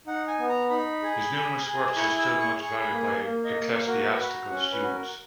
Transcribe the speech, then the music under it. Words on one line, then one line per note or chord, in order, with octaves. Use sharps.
His numerous works are still much valued by ecclesiastical students.
D#4 F#5
G#5
B3
A#5
D#4 B5
G#4
G#4
G#4
E4 C#6
E6
G#4
C#6
G#4 C#6
B5
A#3
G#5
A#3
D#5
A#3
F#4 A#4
B4
F#4 B5
A#5
C#4 F#5
B4
F#4
A#4